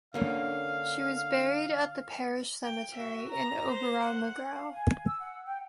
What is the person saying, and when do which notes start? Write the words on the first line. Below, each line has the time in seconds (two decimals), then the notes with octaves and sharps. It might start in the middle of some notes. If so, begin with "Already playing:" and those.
She was buried at the parish cemetery in Oberammergau.
0.14 D3 A#3 C#4 F5
2.64 G5
2.96 F#4 E5
3.30 A#5
3.68 C5
4.04 F#5
4.52 F5
4.72 G#5
5.07 E6
5.20 F#5
5.46 G5